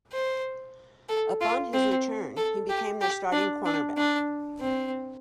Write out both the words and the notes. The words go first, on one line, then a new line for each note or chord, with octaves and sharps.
Upon his return, he became their starting cornerback.
C5
A4
F4
C4
A4
G4
G4
D4
D4
D4
C4